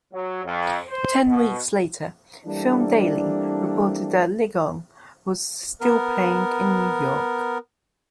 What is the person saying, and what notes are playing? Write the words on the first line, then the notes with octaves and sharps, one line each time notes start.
Ten weeks later "Film Daily" reported that "Legong" was still playing in New York.
F#3
F2
C5
B2
E3 G3 A3 A#3 C4 D4
B3 A#4